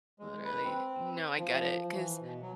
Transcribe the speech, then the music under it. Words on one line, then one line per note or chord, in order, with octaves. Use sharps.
Literally. No, I get it, 'cause
G#3
B4
C4
F3
E3
B2
F#3